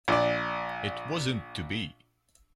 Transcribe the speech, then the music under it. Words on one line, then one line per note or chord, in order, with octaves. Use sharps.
It wasn't to be.
A#1 D5